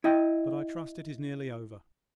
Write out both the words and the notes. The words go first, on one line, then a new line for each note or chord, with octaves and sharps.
But I trust it is nearly over.
E4 D#5 G5